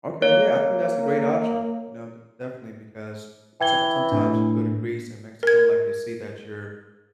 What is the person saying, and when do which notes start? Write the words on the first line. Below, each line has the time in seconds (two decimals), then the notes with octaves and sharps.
Okay. Yeah. I think that's a great option, you know? D definitely because some sometimes you go to Greece and Mexico, like, they see that you're
0.22 A#3 C#5
3.61 E3 G5 G#6 G7
4.12 A2 D4
5.43 A#4 G#6